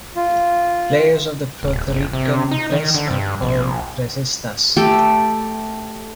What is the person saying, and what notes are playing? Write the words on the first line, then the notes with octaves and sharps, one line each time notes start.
Players of the Puerto Rican tres are called "tresistas".
F4
D1
G1
C3
D#4
D#3
D3
G2
A#1
A3 G4 A4 G5